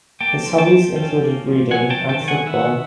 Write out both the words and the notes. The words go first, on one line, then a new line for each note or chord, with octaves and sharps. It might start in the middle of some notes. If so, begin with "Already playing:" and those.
His hobbies included reading and football.
A#3 G5 A5
F3
G5 A5
F3
C#4 G5 A5
A#3
F3
F#3 F#5 G#5
G5 A5
D#3
G5 A5
D#3
F#5 G#5
B3 E5 F#5